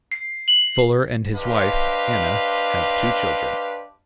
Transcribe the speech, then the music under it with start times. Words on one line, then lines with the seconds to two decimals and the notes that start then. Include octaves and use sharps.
Fuller and his wife, Anna, have two children.
0.12 C7
0.48 F#7
1.34 D4 G4 B4 C5 D#5 F5